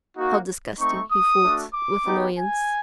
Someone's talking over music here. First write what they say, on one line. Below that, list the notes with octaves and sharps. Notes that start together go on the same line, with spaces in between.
"How disgusting," he thought with annoyance.
A#3 D#4 F#4
A3 C4 D#4 C#6
D#6
A3 D4 F#4
D6
B3 D#4 G4
G#5